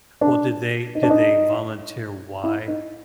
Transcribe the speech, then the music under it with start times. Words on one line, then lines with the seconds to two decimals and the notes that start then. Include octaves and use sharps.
Well, did they did they volunteer why
0.21 D4
0.95 D#4
1.03 D4
1.10 D#4
2.44 E4
2.68 D#4